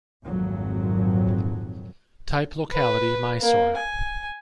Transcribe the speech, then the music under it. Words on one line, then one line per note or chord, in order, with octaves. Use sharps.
Type locality: Mysore.
G#1 F2 A#2 F#3
B4
A#3
G#5